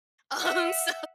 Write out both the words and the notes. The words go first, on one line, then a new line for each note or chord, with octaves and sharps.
Um, so,
E5 F#5